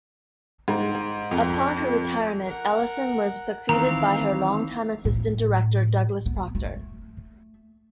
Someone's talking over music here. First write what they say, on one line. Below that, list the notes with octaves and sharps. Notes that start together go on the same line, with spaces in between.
Upon her retirement, Ellison was succeeded by her longtime assistant director, Douglas Proctor.
G#2
F2
A#4 F#5
D#3 E3 C4 F5 A#5
A2
B3
A3